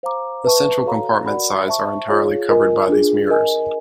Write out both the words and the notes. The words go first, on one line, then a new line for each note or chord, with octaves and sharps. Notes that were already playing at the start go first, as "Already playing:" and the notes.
The central compartment sides are entirely covered by these mirrors.
C5 F5 A#5 D6
B4 E5 A5 C#6
F#4 A4 C#5 F5 A#5
F#4 A#4 D5 F#5 B5
C5 E5 A5 C#6
F4 G#4 C#5 F5
F4 A#4 D#5 G#5
D4 F4 G#4
A#4 D#5 G#5